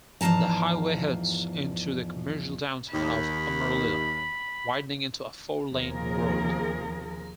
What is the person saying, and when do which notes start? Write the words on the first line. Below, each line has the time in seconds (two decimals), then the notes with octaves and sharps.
The highway heads into the commercial downtown of Amarillo, widening into a four-lane road.
0.21 E2 G#2 F3 A5 A#5
2.93 D#2 B5
5.73 D#2 C3 F3 G#4 A#4